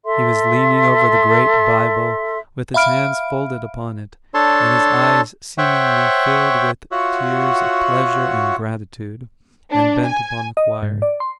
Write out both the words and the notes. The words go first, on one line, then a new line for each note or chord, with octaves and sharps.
He was leaning over the great Bible, with his hands folded upon it, and his eyes seemingly filled with tears of pleasure and gratitude, and bent upon the choir.
A4 E5 C6
E5 F5 B5 F6 D7
D4 A4 C#5 A5 C6
C5 C#5 E5 F#5 G5 C#6
F4 F#4 C#5 E5 F#5
D4
G#5
D#5
G#2
D5
C6